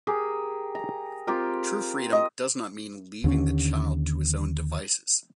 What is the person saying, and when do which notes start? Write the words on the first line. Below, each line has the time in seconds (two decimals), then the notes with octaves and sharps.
True freedom does not mean leaving the child to his own devices.
0.07 G4 G#4 A#4
0.75 A#5
1.27 C4 F4 G4 A#4
2.13 D#5
3.24 D#2 D3 B3 C#4